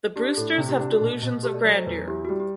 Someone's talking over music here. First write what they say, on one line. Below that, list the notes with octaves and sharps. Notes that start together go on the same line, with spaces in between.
The Brewsters have delusions of grandeur.
D4 G4
G4
A2 A4
C3 G4
G4
D4 G4
F#4
B2
B2
A3 G4
D5
F#3 D5
C5
E2 B4
E4 G4
F#4
G3 G4
G4